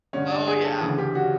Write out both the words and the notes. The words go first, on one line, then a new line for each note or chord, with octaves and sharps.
Oh, yeah.
G2 D3 C#4
D4
G#4
A4
D2 C#3 E3
G4
F#4